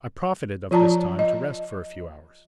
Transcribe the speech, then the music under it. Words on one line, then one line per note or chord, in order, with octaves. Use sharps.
I profited of this time to rest for a few hours.
F3 F4 D5 A5 A#5
D#5